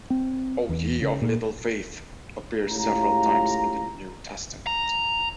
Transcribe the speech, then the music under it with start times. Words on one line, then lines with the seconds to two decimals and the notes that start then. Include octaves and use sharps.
"O ye of little faith" appears several times in the New Testament.
0.10 C4
0.69 E2
1.02 C#3
1.22 A#2
2.68 C#2 A2 F4 G4 A#5
4.67 A#5